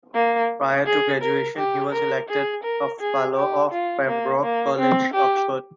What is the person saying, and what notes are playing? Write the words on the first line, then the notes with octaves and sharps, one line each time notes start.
Prior to graduation he was elected a fellow of Pembroke College, Oxford.
A#3
G#4
A#4
G4
A#4
G#4
A#4
G#4
G4
F4
A#3
A#3
C4
G4